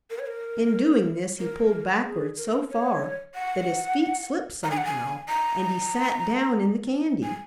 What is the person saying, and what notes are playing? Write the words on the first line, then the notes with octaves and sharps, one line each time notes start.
In doing this he pulled backwards so far that his feet slipped somehow, and he sat down in the candy.
A#4
C#5
A#4
A#4
G#4
A#4
C#5
F#5
A#5
G#5
F#5
G#5
A#5
G#5